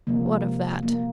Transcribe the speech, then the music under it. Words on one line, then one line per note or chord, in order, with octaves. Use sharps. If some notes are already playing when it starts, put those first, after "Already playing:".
What of that?
C3 F3 G#3 A#3
A#3